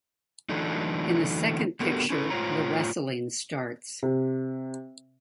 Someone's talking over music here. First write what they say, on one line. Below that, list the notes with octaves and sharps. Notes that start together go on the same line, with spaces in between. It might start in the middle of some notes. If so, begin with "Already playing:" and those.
In the second picture the wrestling starts.
D3 E3 F#3 A3 D4 D#4
D3 B3 F#4 G4 A4 A#4
C#4 E4 G4 A4 B4
A2 F4 C5 C#5 A#5
C3